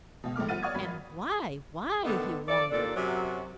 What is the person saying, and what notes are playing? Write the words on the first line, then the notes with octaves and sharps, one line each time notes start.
"And why--why?" he wondered.
C#2 B2
A#1 G#2 A3 D6 F6
G1 F3 F#5 F6 A6 D#7
C#5 D5 F#5 C#6 D#6 G#6
G#1 F#3 B5 B6
A2 D3 D#3 B3
F3 A4 D5
D#2 A#2 D4 A4 D5
F#2 C3 F#3